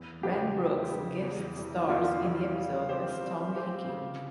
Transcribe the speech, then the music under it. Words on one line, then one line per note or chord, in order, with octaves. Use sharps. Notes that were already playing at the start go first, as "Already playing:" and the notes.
Rand Brooks guest stars in the episode as Tom Hickey.
Already playing: E2
C#3 F3 G#3 G4
E2
C#3 F3 G#3
E2
C3 E3 G3
E2 F4
C3 E3 G3
G3
C4 G4 C5
G3
C4 G4 C5
C#3